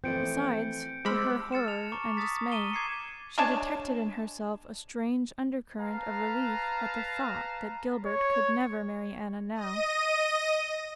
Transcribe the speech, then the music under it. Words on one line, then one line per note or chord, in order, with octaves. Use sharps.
Besides, to her horror and dismay, she detected in herself a strange undercurrent of relief at the thought that Gilbert could never marry Anna now!
E3 F3 A3 C4 G6 C#7 D7
G#3 C5 B5 D6 E6 F6
F6 A6 C#7 E7
A5 F7
A#5 C#6 D6
D#6 A6 B6
A#5 D#7 E7 G7
D6 G#6 C7 C#7
G#3 D4 C#5 A5
B4 F5 A5 A#5
C#5
D#5 A#6 D#7